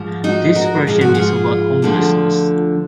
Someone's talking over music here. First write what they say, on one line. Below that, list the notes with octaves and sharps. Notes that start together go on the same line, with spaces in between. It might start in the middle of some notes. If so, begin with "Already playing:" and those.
This version is about homelessness.
Already playing: G#2 F3
D#4 F#4
F#4 A#4
G#2 F3 G#4
F#4
F4 G#4
D2 D3 F3